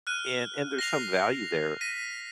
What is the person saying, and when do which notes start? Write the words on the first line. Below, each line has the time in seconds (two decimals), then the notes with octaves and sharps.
and and there's some value there.
0.07 F6 F#6 D#7
0.79 A#6 C7 F7
1.81 A#6 B6 D#7